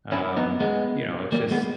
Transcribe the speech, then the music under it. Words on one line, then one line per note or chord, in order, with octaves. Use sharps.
um, you know, it's just,
C#4 E4
B3 D#4
G#3 B3
G3 A#3
G#3 B3